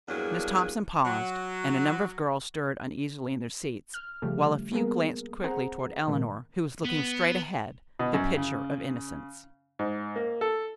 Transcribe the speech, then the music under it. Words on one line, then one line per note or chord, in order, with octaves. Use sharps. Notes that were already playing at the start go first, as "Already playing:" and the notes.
Miss Thompson paused and a number of girls stirred uneasily in their seats, while a few glanced quickly toward Eleanor, who was looking straight ahead, the picture of innocence.
E2 G2 F#3 A#3 D4 G#4
F#3 F#4
F6
C#3 F3 G3 A3 G4
G3 A#3 B3 G#4 A#4
C4 G#4 C5 F#5 A#5
A#2 D#3 G#3
B3
B2
F#2
C#3
G#2
A#3
A4